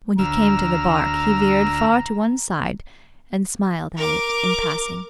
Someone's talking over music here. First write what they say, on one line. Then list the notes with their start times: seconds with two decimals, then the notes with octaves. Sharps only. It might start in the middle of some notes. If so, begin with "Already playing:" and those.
When he came to the bark, he veered far to one side and smiled at it in passing.
0.19 D2 A#5 E6 F6
3.97 A#4 D6